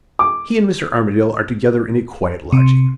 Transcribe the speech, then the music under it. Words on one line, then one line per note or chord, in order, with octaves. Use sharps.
He and Mr. Armadale are together in a quiet lodging.
D6
C3